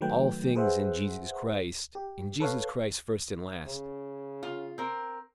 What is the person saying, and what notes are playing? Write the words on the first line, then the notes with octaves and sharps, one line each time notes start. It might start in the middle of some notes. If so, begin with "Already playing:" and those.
All things in Jesus Christ--in Jesus Christ, first and last.
D#3 F#3 A3 B4 G5
G#4 B4 C5 E5 F#5
G4
A4 B4 C#5 F5
C#3
F4
C4 A#4